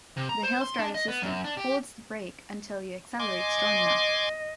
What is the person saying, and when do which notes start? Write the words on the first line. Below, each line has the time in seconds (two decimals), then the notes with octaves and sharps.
The hill start assistance holds the brake until you accelerate strong enough.
0.17 C3
0.29 A#5
0.43 C5
0.61 C6
0.79 D4
0.95 D#5
1.08 B3
1.22 F#2
1.44 D4
1.57 G4
3.19 D#5 G#5 C6 D6